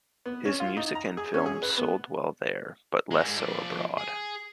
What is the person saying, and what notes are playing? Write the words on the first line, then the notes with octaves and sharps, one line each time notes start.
His music and films sold well there but less so abroad.
B3
C#4
F4
D#4
A#5
G#4
C#4
G#4
B4
B3
G#2 G#3
F3 D5
G#4